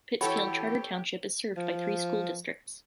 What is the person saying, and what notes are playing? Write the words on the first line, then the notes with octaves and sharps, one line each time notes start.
Pittsfield Charter Township is served by three school districts.
E3 F#4 G4 A4 C#5 B5
F3